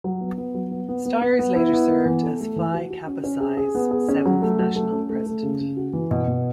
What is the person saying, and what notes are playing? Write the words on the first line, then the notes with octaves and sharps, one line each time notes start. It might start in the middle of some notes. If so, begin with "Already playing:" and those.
Stires later served as Phi Kappa Psi's seventh national President.
F#3
B3
B3
F#3
B3
B3
B3
B3
B3
E4
B3
B3
E3
A4
A3
E3
F#4
F#4
C#4
C#4
G#4
G#4
B3
G#4
C#4
F#3
A3
F#3
A3
C#4
A3
A3
C#3
C#3
F#4
E3
B2
B2